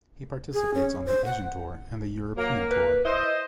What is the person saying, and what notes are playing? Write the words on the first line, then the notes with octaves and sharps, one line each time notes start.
He participates on the Asian Tour and the European Tour.
G#4
C#4
C5
F#5
F#3 A#3
B4
E4 C5 D#5